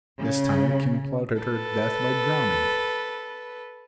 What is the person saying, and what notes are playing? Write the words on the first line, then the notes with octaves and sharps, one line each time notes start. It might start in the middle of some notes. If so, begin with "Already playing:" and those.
This time the king plotted her death by drowning.
C#3
A4 B4